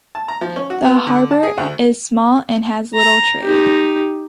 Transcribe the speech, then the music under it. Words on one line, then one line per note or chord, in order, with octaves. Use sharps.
The harbour is small and has little trade.
A5
A#5
F3
C#4
F#4
B3
D3
A5
G#4
D2
A#5
D#4 G4